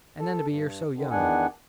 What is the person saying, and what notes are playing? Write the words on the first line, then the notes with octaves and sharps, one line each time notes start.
And, then, to be here so young!
A4
G2
D3 D#3
E2 D#3 B3 D4 F#5 G#5